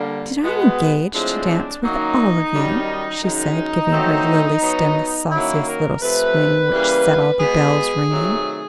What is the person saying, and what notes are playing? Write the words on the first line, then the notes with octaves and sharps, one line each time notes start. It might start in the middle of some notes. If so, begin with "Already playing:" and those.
"Did I engage to dance with all of you?" she said, giving her lily stem the sauciest little swing, which set all the bells ringing.
Already playing: D3 G3 A#3
B2 G#3 B3
A2 F3 G#3 C4 D4
F#2 D#3 F#3 A#3 D#4
F#2 D#3 G3
F#2 D#3 G#3 D#4
B2 F#3 A3 C4
B2 F#3 B3
F#2 D#3 F#3 A#3 E4
A#4
C3 F3 A3 B4
C#3 E3 G3 A#3
B2 G#3 B3 G#4
C3 D#3 F#3 A3